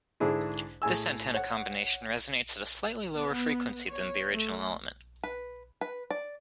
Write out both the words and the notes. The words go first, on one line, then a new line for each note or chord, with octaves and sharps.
This antenna combination resonates at a slightly lower frequency than the original element.
G#2 D3 D4 E4 G#4
A2 G#4 G#5 E6
C#5 F#5
B3
C#5
A3
B4
B4
D5